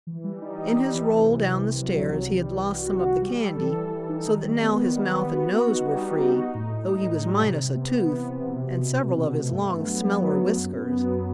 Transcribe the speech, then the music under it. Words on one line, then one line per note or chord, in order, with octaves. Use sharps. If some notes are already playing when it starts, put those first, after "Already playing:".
In his roll down the stairs, he had lost some of the candy, so that now his mouth and nose were free, though he was minus a tooth and several of his long smeller whiskers.
E3
G3
D#4
G3
G3
E3
C3
C2
C2
C3
F#3
C2
G3
E3
G3
F#4
F#4
F#4
G3
A4
E3
E3
E3
D#4
D#3
G3
B3
D#3
G3
B3
F#4
F#4
D#4
G3
D#4
F#4
D#4
A2
A2
D#4
D#4
G3
C3
C3
B3
B3
E3
C3
B2
B2
B2
B2
B2
A3
G2
B3
F#3
B3
F#3
F#3
F#2
B3
F#3